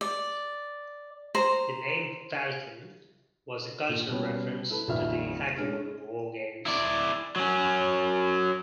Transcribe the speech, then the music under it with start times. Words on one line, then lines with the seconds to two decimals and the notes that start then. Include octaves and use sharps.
The name Falken was a cultural reference to the hacker movie WarGames.
0.01 D5
1.35 C5 A#5
3.89 A#2
4.09 B2 G3 B3 C#4
4.70 E4 A4 B4
4.87 D#1 A#1 F2 D#4 E5 F6
5.57 G#3 C#4 D4 F6
6.66 E4 D5
7.36 F#3 C#4